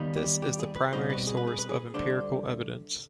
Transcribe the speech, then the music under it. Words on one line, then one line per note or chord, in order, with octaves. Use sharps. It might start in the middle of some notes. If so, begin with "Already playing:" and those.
This is the primary source of empirical evidence.
Already playing: D#2 D#3 G3 B3 D#4
G4
G4
G#4
B4
B2 G3 C4 D#4 C5
B4
G#4
B4
G#4
B4
G#4
D2 D3 G3 D4 C5